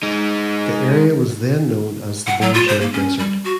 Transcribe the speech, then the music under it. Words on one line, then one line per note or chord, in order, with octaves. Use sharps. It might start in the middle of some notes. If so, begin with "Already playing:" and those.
The area was then known as the Bourget Desert.
G#3 D#4
F#5
F#3
F4
C5
A#3
C#4
G3
F#4